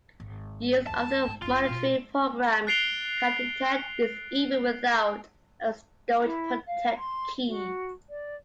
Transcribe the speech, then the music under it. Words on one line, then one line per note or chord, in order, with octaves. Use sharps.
Use of a monitoring program can detect these even without a storage protect key.
G#1
E2 D3 A5
G#2
F#1 E4 F4
B2
F#6 A6 C7 D7 F7 G7
E4
F5
C6
F#4
D5